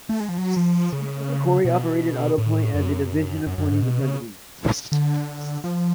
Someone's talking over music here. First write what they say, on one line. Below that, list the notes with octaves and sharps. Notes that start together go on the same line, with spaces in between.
Cory operated Autopoint as a division appointing the president.
A3
G#3
F3
F#3
F3
C#3
B2
A2
F#2
F#2
F#2
G#2
B2
C#3
D3
F3